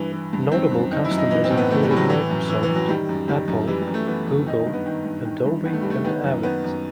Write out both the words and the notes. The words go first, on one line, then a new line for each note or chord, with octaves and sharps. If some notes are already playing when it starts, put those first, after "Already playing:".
Notable customers included Microsoft, Apple, Google, Adobe and Avid.
Already playing: G2 E3
E3
G2
D#3 C4
F#2
D#3 D#4
E4
F#2
D#4
E3 D#4
C4
A2
B3
E3 A3
G3
A2
F#3
E3
F#2
E3
E3
F#2
F#3
D#3 G3
F#2
D#3 G3
F#2
E3 G3
G3
F#2
A3
E3 B3
F#2
D#3 D#4
D#4
G2
B3
D#3
G2
D#3
G2
D#3 B3
A3
G2 G3
A3
D#3 B3
F#2
D#3 B3
F#2